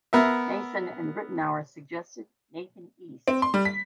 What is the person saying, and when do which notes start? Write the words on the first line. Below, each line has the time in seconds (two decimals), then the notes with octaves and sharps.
Mason and Ritenour suggested Nathan East.
0.13 B3 A#4 E5
3.28 C4
3.42 C6
3.54 G3
3.65 B6